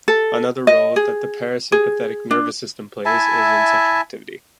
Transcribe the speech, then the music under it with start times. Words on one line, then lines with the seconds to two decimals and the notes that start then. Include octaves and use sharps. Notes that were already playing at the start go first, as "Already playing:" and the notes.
Another role that the parasympathetic nervous system plays is in sexual activity.
0.08 A4
0.67 D#5
0.96 G#4
1.72 G#4
2.31 D4
3.05 E4 E5 G#5 A5